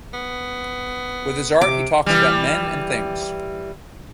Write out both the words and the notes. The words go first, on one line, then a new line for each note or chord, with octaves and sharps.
With his art he talks about men and things.
B3
C3 D6
E3 G3